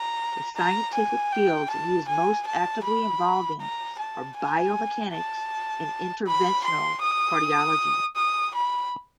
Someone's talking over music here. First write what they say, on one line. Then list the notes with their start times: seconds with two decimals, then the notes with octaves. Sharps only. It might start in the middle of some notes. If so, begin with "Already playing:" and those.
The scientific fields he is most actively involved in are biomechanics and interventional cardiology.
Already playing: A#5
0.56 A#5
0.94 G#5
1.32 G5
1.70 A5
2.08 G#5
2.46 A5
2.84 B5
3.61 A#5
3.98 A5
4.36 G#5
5.12 A5
6.27 B5
6.64 C6
7.03 D#6
8.16 D#6
8.54 B5